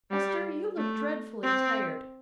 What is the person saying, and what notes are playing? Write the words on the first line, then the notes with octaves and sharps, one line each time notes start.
Ester, you look dreadfully tired.
G3
A3
C4